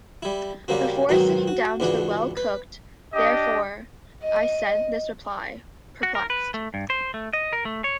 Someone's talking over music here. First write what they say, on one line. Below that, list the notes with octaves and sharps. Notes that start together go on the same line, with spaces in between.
Before sitting down to the well-cooked, therefore, I sent this reply: Perplexed.
G3 E4
C#3 G3 A#3 C4 F#4
G#2 B2 D#3 F#3 C4 F#4
F#4
C#2 G#2 E3 D4 F#4
B4
D4 G4 D#5
D#5
F#4
A#4
B4
A3
G2
C5
A3
D#5
A#4
A3
C#5